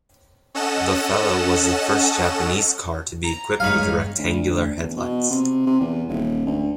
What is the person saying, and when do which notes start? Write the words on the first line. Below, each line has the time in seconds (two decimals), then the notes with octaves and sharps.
The Fellow was the first Japanese car to be equipped with rectangular headlights.
0.55 C#4 A4 D#5 F#5 E7
3.24 A#5
3.60 G1 G3 G#3 D#4 C#5 F5 B5
4.18 D2
4.50 D2
4.77 E2
4.97 B2
5.30 C3
5.66 C3
5.80 E2
6.09 D#1
6.46 D2